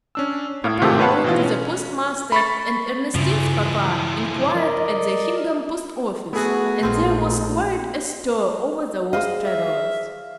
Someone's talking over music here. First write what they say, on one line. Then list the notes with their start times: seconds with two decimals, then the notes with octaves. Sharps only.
Papa wrote to the postmaster, and Ernestine's papa inquired at the Hingham post-office, and there was quite a stir over the lost travellers.
0.15 C#4 D4 E6
0.64 A2
0.81 G#2 C3 D#3 A3 F4 G4
1.00 B4 C#5 F5 F#5 A5 B5
1.24 B2 E3 F4
1.43 C#4
2.32 B5 C#6 A6
3.15 G2 C#3 E3 F3
4.54 A#4 D5 D#5
6.33 A3 B3 E4 F#4 G#4
6.83 A#1 C4 F4
9.13 G#4 C5 D#5 F5
9.42 E5